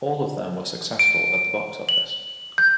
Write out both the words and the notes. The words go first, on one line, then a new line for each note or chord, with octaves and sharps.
All of them were successful at the box office.
D7
F#7
G6